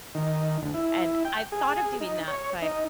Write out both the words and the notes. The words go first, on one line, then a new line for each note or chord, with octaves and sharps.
and I've thought of doing that, but,
D#3
D2
E4
G5
G#4
D#4
C#5
D#4